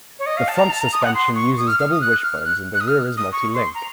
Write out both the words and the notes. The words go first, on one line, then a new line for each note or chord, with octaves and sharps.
The front suspension uses double wishbones and the rear is multi-link.
C#5
D#5
F5
A5
A#5
A5
A#5
D#6
F#5
C6
C#6
D#6
F6
F6
D#6
F#6
F6
F#6
F#6
D#6
F6
D#6
C#6
C6
A#5